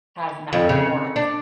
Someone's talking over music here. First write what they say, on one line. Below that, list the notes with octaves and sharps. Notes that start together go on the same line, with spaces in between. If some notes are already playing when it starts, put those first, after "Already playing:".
has Matterports
F2
C#3
D4